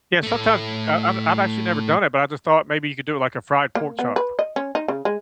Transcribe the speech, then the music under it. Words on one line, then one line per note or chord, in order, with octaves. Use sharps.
Yeah. Sometimes you I've I've actually never done it, but I just thought maybe you could do it like a fried pork chop.
A2 A3
A#3
B3
B4
D#5
C#4
D#4
C#3
G#3